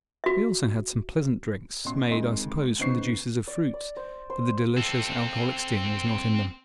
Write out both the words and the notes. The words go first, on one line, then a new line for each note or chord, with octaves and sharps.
We also had some pleasant drinks, made, I suppose, from the juices of fruits, but the delicious alcoholic sting was not in them.
F#4 E5
A1 B2 C6
F2 D#3 G#3 D#5 C6
C#3 B3 D#4 C5 C#6 C7
D5
D5
C5
C5
C4 A4